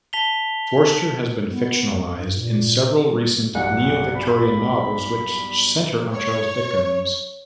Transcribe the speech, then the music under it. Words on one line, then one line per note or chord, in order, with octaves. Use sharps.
Forster has been fictionalised in several recent neo-Victorian novels which centre on Charles Dickens.
A5 B6 F7 G7
B3
F2
G2
A#2
G3
B1 E2 G2 F#5
B5
C#5